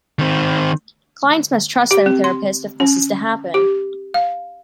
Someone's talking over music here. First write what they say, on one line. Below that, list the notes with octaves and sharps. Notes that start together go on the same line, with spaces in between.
Clients must trust their therapist if this is to happen.
D#3 C4
G4
C4
C6
C#4
G4
F5